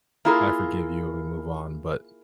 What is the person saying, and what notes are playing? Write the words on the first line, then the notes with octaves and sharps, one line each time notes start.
"I forgive you," we move on, but
A#3 E4 F4 G#4 A#4